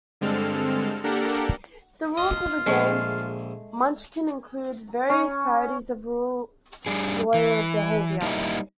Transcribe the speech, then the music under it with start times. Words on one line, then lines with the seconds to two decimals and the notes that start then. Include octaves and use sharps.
The rules of the game "Munchkin" include various parodies of rules lawyer behavior.
0.21 G2 D3 G#3 C4 A4 F6
1.04 A#3 D4 G4 A4 A#4 F#5
2.17 F4 D#5
2.66 A#1 G#3 A3
5.10 C#4
6.86 G3 D4 G#4
7.34 E3
8.22 G3 A#3 D#4 E4